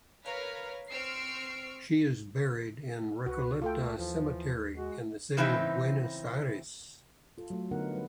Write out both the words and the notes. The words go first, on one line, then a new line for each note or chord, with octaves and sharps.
She is buried in Recoleta Cemetery in the city of Buenos Aires.
A#4 B4 C#5 F5 F6
C4 C#6 E6 F6 C7 D7
C#2 F#4 B4
A3 F4 A4 G5
D#2 E3 F3
G#3 F#4
C#3 E3 C4 D#4 B4 E5
F4 A4
F#3 A3
D3 B3 D#4 A#4 F#5
G3 B4